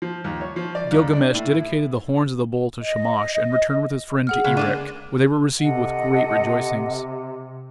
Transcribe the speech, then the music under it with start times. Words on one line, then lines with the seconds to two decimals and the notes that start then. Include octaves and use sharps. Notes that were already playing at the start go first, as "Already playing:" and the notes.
Gilgamesh dedicated the horns of the bull to Shamash and returned with his friend to Erech, where they were received with great rejoicings.
0.02 F3
0.24 D#2
0.41 C#5
0.56 F3
0.75 D5
0.91 D#2
1.13 D4
1.34 A2
1.52 E4
2.80 D#5
4.27 G#4 F#5 F6
4.44 C#3 G#3
4.57 G#3 A#3 D4 D#7
5.59 C3 A4 D#5 F#5